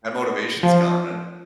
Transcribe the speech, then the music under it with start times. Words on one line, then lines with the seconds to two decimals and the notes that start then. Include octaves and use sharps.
that motivation is gone, right?
0.63 F3